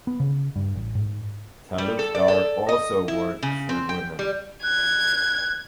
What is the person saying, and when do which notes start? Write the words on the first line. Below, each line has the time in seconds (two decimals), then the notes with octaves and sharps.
Talukdar also worked for women.
0.07 B3
0.20 C#3
0.56 G2
0.76 A1
0.95 G#2
1.78 G3
1.99 A4
2.15 D5
2.28 A4
2.69 D#5
3.08 E4
3.43 C#3
3.69 C4
3.89 G5
4.19 G3
4.63 F#6 G#6